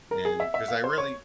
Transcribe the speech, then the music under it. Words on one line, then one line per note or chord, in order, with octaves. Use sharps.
and 'cause I really
A#4
G#4
E5
E5
F5
C5
C#5